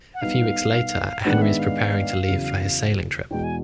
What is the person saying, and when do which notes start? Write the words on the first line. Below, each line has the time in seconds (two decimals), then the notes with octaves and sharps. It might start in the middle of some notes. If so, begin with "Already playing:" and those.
A few weeks later, Henry is preparing to leave for his sailing trip.
0.14 F#5
0.21 G3 B3 D#4 F5
1.20 G5
1.25 G#2 D#3 G#3 B3 D4 F#5
1.42 E5
1.59 F5
2.28 E2 C#3 F#3
3.31 E2 B2 G#3 G5
3.44 G#5